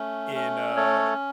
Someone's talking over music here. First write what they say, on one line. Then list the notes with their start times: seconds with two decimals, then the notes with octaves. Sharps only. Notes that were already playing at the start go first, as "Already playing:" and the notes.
in, uh,
Already playing: A3 C#4
0.35 C#4
0.76 A3 A4 C#5